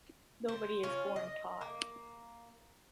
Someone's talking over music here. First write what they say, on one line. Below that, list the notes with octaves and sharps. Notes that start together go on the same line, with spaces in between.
Nobody is born taught.
C4
C#4 F4
D#5
A#3